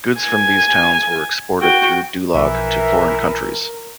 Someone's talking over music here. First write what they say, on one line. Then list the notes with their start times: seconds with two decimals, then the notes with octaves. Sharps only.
Goods from these towns were exported through Dulag to foreign countries.
0.21 G#5
1.61 F#4 G5
2.34 B1 E3 F3 A#4 E5